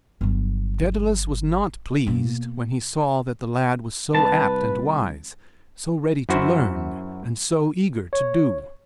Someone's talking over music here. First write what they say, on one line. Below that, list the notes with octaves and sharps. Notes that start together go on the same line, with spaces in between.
Daedalus was not pleased when he saw that the lad was so apt and wise, so ready to learn, and so eager to do.
G1 F#3
B2 A#3
C2 B4 A5
F#2 E4 F#4 C5
C#5